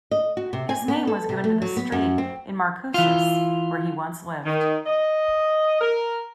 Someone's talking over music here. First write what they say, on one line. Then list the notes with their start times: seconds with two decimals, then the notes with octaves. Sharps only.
His name was given to the street in Marcoussis where he once lived.
0.11 D#5
0.37 F#4
0.53 C3
0.69 G#5
0.88 B3
1.07 A4
1.29 C3
1.44 A3
1.62 F#3
1.77 B3
1.92 F#2
2.18 C4
2.94 E3 F4
4.45 D#3
4.87 D#5
5.81 A#4